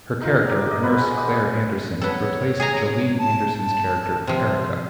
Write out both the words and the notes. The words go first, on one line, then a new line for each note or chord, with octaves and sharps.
Her character, nurse Claire Anderson, replaced Jolene Anderson's character Erika.
D#4 F4 A#4
G4
D5 D#5
B4 C5 F#5 B5
G#3
D#5
B3 A4 C#5
G#4 G#5 A#5
A5
A5
C3 F3 C6